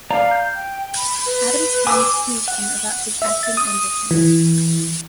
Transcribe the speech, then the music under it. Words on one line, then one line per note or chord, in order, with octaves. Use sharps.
Adams' friends teased him about his acting ambitions.
D5 F5 A#5
G6
G5
B5
B4
G#5 D6 E6
F#5
E5
A6
D#6
E3